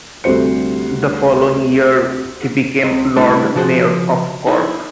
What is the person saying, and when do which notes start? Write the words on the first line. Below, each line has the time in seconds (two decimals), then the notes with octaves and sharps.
The following year he became Lord Mayor of Cork.
0.24 D2 C3 G3 F#4 C5 C#7
2.83 C#2 C4 D#5
3.16 G3 A3 C4 D4 E4
3.55 C#3 F3 F#4 G#4 C5
4.47 B3 D#4 E4 G#4